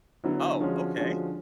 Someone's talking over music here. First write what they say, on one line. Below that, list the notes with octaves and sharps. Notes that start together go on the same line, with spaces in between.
Oh, okay.
D3 F#3 B3 E4
D3 F3 G#3 C#4 F#4
D3 F3 G#3 C#4 F#4